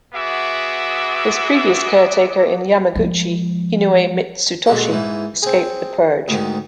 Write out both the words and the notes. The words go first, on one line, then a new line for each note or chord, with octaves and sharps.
His previous caretaker in Yamaguchi, Inoue Mitsutoshi, escaped the purge.
B3 F#4 G#4 E5 D6
F3 G#3
A#2 D3 G#3 F#4 A4
G#2 E3
C4 G#4
D2 G#2 D#3